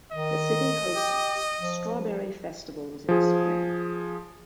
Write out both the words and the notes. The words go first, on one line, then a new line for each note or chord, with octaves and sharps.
The city hosts strawberry festivals in spring.
D#3 D#5
G4
F3
F3 G#4